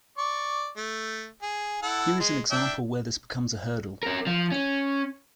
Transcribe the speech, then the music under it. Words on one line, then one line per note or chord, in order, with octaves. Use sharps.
Here is an example where this becomes a hurdle.
D5 C#6
A3
G#4
E4 A4 F#5
G#3
D4 E5 G5
C#4 A#4
F3
C#4